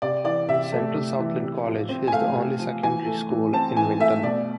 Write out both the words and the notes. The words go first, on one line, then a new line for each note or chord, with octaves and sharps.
Central Southland College is the only secondary school in Winton.
C3 D5
E3 D5
C3 E5
A3
C3
E3
C3
F3
C4
G#5
A3 F5
C3
F3
E3 G#5
A3
E3
C4 A5
E3 G#5
A3 E5
B2 D5